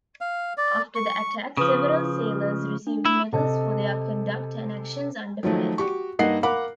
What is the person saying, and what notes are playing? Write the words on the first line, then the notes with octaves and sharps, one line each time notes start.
After the attack, several sailors received medals for their conduct and actions under fire.
F5
D5
C#6
C#3 F3 B4 D#6
D4
E4
C3 A4 D#5
D#3 F3 F#3 A3
F#4 G4 C#6
G2 A#3 D#4 D#5 F#5 C7
A#4 F5 F#5 B5 D6 F#6